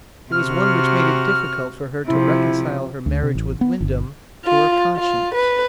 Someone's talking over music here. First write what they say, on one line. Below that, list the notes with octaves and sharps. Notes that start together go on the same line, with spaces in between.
It was one which made it difficult for her to reconcile her marriage with Wyndham to her conscience.
C3 F#4 F6
C3 F3 E4
D2
C3
A1
B3
G1
F4
F4
B4